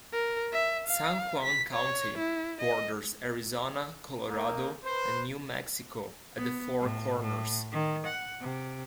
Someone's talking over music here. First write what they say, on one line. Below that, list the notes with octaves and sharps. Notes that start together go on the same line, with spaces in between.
San Juan County borders Arizona, Colorado, and New Mexico at the Four Corners.
A#4
E5
F5
B6
C#5
E4
D#5
A#3 D#4
B4 C5
B3
A2
A2
D#3
F#5
C3